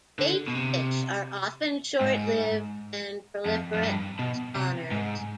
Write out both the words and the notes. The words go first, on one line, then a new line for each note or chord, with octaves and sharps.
Bait fish are often short-lived and proliferate spawners.
D3
B2
C3
G#2
F2
F2
G2
B2
C3
G#2